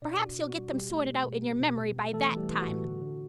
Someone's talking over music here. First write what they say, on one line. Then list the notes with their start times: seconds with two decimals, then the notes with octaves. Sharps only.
Perhaps you'll get them sorted out in your memory by that time.
0.02 B2 D4 D5
0.19 B2
0.25 F#4
0.37 B2
0.49 F#4
0.54 G3
0.72 B2 G3 G4
0.90 A3
1.08 B2
1.25 B2
1.43 B3
1.61 B2
1.78 B2
1.96 B3
2.13 E3 A3 A4
2.31 E3
2.37 G3 G4
2.49 E3
2.61 F#4
2.66 A2
2.84 D3
3.02 D3